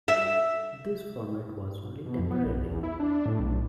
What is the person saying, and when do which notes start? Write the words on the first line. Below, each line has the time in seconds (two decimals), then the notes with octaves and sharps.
This format was only temporary.
0.08 E5
2.06 B2
2.19 F2
2.31 B3
2.45 A#1
2.62 E2
2.83 E4
3.00 D4
3.26 A2
3.40 B1